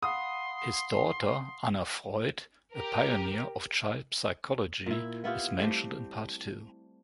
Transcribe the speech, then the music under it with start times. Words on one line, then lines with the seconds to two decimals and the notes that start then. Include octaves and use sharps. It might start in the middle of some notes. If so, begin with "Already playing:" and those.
His daughter Anna Freud, a pioneer of child psychology, is mentioned in part two.
0.03 F5 F#5 B5 C6 D#6
2.74 G4 A#4
4.86 A#2 E4
5.24 B3 E4 F4 G4
5.59 G3 A3 C4 G4